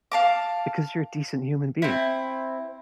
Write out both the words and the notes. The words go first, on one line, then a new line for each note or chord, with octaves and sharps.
Because you're a decent human being.
F5 A5 D6
C4 E4